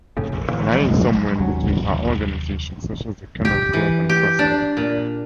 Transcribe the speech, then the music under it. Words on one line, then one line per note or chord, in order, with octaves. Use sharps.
Lying somewhere in between are organisations such as the Kennel Club and Press Club.
F1 F2 A2 C#3
A#1
A2 D3 E3 A#3
F3 F#3 G#3
F1 D#2 F#3 C#4
G4
E3
G4
D4
A#2